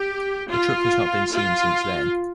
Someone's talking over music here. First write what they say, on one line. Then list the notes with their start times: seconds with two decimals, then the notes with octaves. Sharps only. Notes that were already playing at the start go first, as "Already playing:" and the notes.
The truck has not been seen since then.
Already playing: G4
0.49 F4
1.32 F4